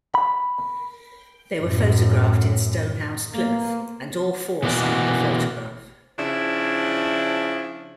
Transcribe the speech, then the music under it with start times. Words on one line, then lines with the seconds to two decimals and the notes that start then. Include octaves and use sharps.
They were photographed in Stonehouse, Plymouth, and all four signed the photograph.
0.15 B5
1.59 F#2 A2
3.33 A#3
4.63 B2 E3 A#3 F#4 D5
6.18 C#3 F3 D4 E4